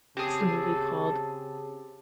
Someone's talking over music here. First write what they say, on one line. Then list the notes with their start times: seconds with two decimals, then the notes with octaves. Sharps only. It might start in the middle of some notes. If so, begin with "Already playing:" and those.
what's the movie called
0.17 C#3 C4 G4 G#4 A5